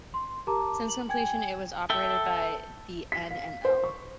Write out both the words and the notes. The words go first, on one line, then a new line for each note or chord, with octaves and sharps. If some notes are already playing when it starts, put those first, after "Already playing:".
Since completion it was operated by the N and L.
C6
G4 A#4 A5 A#5 D6
F#7
G5 G#5 G#6
A4 E5 G5
B6
F5
C5
C#6